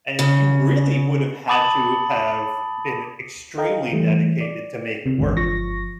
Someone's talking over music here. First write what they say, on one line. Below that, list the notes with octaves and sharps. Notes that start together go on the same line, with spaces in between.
and you really would have had to have been extremely dedicated to make it work.
C#3
A5 B5 D6 D#6 A6 F#7
A4 D#5 F5 G5 A#5
E3 G3 A3
D5
C3
A1 E2 G#2 D3
G1 F3 C#6 A#6